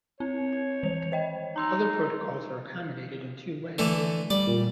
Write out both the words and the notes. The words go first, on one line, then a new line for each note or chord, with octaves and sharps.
Other protocols are accommodated in two ways.
C4 C#5
D#3 E3 F7
C5 D#5 G5
D#4 A#5 C6 E6
D3 E3 A3
G3 D5
A#2